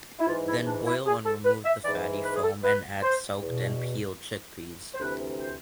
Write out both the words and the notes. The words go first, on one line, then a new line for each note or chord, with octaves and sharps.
Then boil and remove the fatty foam and add soaked and peeled chick peas.
E4
G#2 E3 F4
E4
D4
E4
G#4
A4
B4
E5
G#2 E3 D5
B4
G#4
A4
B4
C5
E2 B2
C5
D2 C3 E3 B4
C5